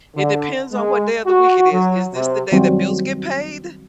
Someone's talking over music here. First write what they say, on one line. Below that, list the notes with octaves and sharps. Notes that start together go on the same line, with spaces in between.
it depends on what day of the week it is, is this the day that bills get paid?
D3
G#3
F#4
F#3
C3
D#3 F#3 G3 C4 F#4 C5